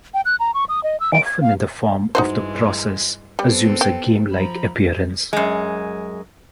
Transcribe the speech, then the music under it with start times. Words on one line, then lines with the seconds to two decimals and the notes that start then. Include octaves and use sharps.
Often in the form of the process assumes a game-like appearance.
0.14 G5
0.25 F#6
0.40 A#5
0.54 C#6
0.69 D#6
0.84 D#5
1.00 E6
1.13 D7
1.26 G#6
1.41 F5
2.15 G2 E3 G#3 D#4 F#4 C5
3.39 G3 B3 C4 A4
3.81 G4
4.31 F3 A#5 B5
5.33 F#2 G#3